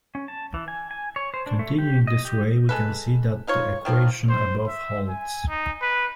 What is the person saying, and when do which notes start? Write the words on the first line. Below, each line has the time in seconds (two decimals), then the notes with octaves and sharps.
Continuing this way we can see that the equation above holds.
0.15 C#4
0.28 A5
0.54 E3
0.68 G#5
0.91 G#5
1.16 C#5
1.34 C5
1.46 D4
1.59 A3
1.78 G4
2.07 D#5
2.25 G4
2.69 G#3 A4 B4
3.47 D#4 F4 C#5
3.85 D#3 F3 A#3 F4
4.29 C5
4.67 E5
5.09 G#5
5.48 D#4
5.82 B4